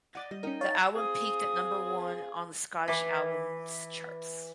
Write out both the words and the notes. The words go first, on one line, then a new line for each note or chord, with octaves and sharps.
The album peaked at number one on the Scottish Albums Charts.
D5 D#5 F#5 D6 A6
G3 D#5
C#4 D#4 A#4 D#5 G5
C#5 F5 A6
C4 F4 G#4 D#6
E3 D6